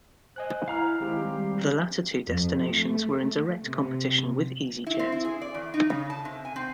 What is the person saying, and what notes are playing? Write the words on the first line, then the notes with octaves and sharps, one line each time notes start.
The latter two destinations were in direct competition with EasyJet.
C5 D#5 G#5 F#6
E4 F5 A#5 F6
D#3 G#3 C4 E4 G4
G3
F2
A3
C3
E4
C4
E4
G#4
D5
E2
D#4
C#3
A5
C3
G#5
C4